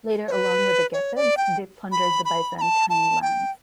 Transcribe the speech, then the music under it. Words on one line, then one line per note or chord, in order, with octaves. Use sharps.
Later along with the Gepids they plundered the Byzantine lands.
C#5
B4
C#5
D5
G5
B5
B5
B5
A5
A5
G5